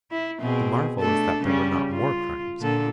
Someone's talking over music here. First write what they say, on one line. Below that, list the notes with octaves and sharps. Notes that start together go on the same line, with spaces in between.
The marvel is that there were not more crimes.
E4
B2 C4 G#4
A3 D4 A4
C#3 G3 C#4
F4
A#2 D3 A4